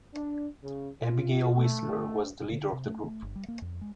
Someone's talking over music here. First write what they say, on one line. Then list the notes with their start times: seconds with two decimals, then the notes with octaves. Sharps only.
Abigail Whistler was the leader of the group.
0.14 D4
0.63 C#3
1.02 F4
1.56 A3
2.52 D3
2.73 C3
2.86 A3
3.04 A3
3.22 G1
3.36 G3
3.48 A#3
3.62 F2
3.81 G#3